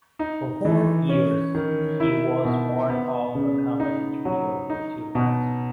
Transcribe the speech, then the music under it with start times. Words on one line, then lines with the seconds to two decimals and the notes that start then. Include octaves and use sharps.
For four years he was part of a comedy trio with two friends.
0.19 D#4
0.65 E3
1.09 C#4
1.55 D#3
2.00 E4
2.45 B2
2.90 B3
3.35 C#3
3.80 D#4
4.25 F#3
4.70 D#4
5.15 B2